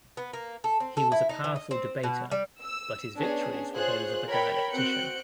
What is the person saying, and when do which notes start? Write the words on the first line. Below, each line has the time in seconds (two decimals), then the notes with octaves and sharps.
He was a powerful debater, but his victories were those of a dialectician.
0.17 B3
0.33 A#3
0.64 A4
0.80 C4
0.97 A4
1.12 E4
1.29 D#4
1.44 E3
1.56 D#5
1.71 C4
2.03 B2
2.31 G3
2.62 E6
3.19 B3 C#4 D4 G#4
3.74 F4 G#4 C5 C#5 F#6
4.29 A#4 C#5 G5 B5
4.72 C4 F#4 F#6 G6 C#7 D7